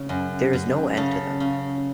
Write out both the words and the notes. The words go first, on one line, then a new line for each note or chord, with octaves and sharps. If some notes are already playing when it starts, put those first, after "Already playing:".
There is no end to them!
Already playing: C#3
F#2
F#2
C#3 A4
C#3